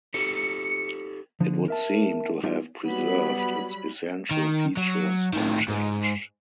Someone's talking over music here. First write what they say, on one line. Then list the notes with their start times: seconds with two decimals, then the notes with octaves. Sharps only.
It would seem to have preserved its essential features unchanged.
0.14 D#4 G4 A4 C#7
1.41 D3 F3
1.68 A#4 E5 A5
2.44 G3 D#4 F4
2.85 F#3 G3 B3 B5
4.31 D#3
4.77 F#3
5.33 A2 D#3
5.68 G#2